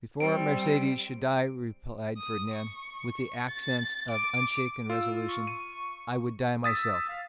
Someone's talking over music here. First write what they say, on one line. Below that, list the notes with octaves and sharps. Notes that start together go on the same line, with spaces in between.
"Before Mercedes should die," replied Fernand, with the accents of unshaken resolution, "I would die myself!"
G3 C4 D7
D#6
C#6
A6
D6
F4 E6
C#6
D#7
D#6 E6 A6 B6
F5